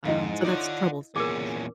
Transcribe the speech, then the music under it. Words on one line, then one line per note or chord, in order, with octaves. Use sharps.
uh, so that's troublesome for sure.
F2 G#2 E4 D#5 F5
D#4 F4 C#5 D5 F#5
E2 A#2 C#4 G#4 A#4 D6